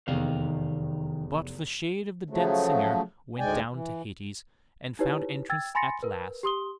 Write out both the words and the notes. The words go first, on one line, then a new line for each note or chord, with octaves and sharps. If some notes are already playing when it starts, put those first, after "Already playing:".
But the shade of the dead singer went down to Hades, and found entrance at last.
F1 E2 D#3 F5
C#3 F3 F#3 A3
D2 G#2 G#3 D5 G5 G#5
E3
D#4 E4 G4 B4 C#5
G5 E6 G#6 A6
G#5 B5 C6 A6 A#6 C#7
A#4 B4
G4 C6 D#6 G7